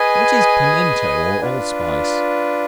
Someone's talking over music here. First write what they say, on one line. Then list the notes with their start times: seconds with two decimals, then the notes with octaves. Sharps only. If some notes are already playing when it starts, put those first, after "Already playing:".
What is Pimento or Allspice?
Already playing: G#4 B4 D#5 G#5
1.41 D4 F4 B4